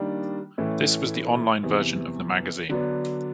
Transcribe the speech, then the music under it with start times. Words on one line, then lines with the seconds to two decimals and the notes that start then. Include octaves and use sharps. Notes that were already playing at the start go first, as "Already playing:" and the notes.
This was the online version of the magazine.
Already playing: D#3 G3 A#3 D4
0.58 A2 E3 A3 C#4 E4
1.63 E2 C3 E3
2.69 D3 F#3 B3 D4